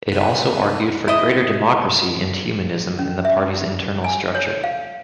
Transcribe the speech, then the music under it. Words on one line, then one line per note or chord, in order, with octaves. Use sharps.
It also argued for greater democracy and humanism in the party's internal structure.
C3 B4
E4 D#5
C#4
E5
G#5
C#5
F5